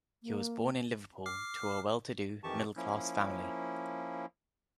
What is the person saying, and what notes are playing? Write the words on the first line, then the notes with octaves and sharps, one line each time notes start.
He was born in Liverpool to a well-to-do middle-class family.
A#3
D6 F6 C7
F2 D#3 E3 G4 A5 C#6
F3 A#3 C#4 E4